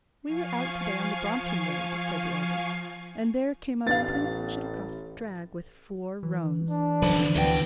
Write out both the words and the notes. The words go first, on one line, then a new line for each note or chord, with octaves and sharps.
"We were out to-day on the Brompton Road," said the eldest, "and there came up Prince Chitakov's drag with four roans."
F3 F5 G#5 C#6 C7
A1 B3 D4 F5 A6
E3
D4
D3 F3 F#3 B3 C5
D2 A2 B3 G5